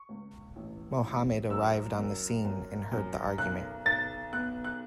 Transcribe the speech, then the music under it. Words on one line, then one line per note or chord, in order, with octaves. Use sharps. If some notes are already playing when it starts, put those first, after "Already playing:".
Muhammad arrived on the scene and heard the argument.
Already playing: C#6
C#2
A1
A1
F#2 E6
F#2
F#2
F#2
B1 F#6
B1 A6
B3 F#6
F#6